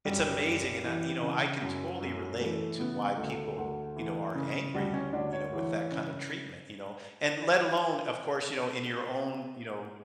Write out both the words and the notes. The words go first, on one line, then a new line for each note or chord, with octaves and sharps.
it's amazing and I you know, I can totally relate to why people, you know, are angry, you know, with that kind of treatment, you know? And let alone, of course, you know, in your own, you know,
F#2 G3
F#2
E3
C#3
F#2
F#2
E3 A3
C#3 B3
D2 A3
D2
E3
C#3
D2 G3
C#4
D2 D4
C#5
E3
C#3